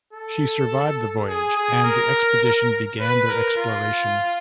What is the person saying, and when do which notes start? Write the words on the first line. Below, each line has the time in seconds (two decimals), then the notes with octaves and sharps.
She survived the voyage and the expedition began their exploration.
0.13 A4
1.28 G#4
1.56 G#4
1.84 A#4
3.00 B4
3.28 A#4
3.57 F4